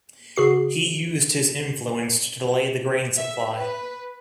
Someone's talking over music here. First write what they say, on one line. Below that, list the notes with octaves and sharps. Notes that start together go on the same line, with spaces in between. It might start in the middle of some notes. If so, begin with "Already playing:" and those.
He used his influence to delay the grain supply.
C#3 F#4 C7
E5
B4